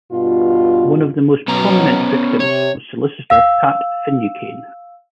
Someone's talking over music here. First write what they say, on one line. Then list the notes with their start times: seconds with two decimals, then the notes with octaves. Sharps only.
One of the most prominent victims was solicitor Pat Finucane.
0.13 G2 B2 F4
1.48 B2 F#3 B3 C#4 A#5
2.40 C3 C#5
3.30 F5 E6